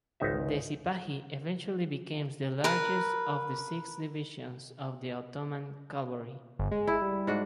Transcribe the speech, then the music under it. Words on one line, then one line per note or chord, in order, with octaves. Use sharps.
The Sipahi eventually became the largest of the six divisions of the Ottoman cavalry.
G#1 C#2 D#4 E5
A#4 B4
G1
G#3
E4
G3
G#2 D4 F#4